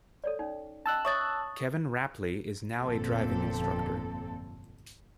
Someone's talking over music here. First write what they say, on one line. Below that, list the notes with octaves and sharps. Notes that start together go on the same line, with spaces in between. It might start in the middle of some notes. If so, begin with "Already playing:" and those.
Kevin Rapley is now a driving instructor.
A4 C#5 D5
C#4 D#4
C#4 D#5 A5 E6 F#6
C#5 E5 C#6 D#6 A6
G1 F2 A#2 C4 A4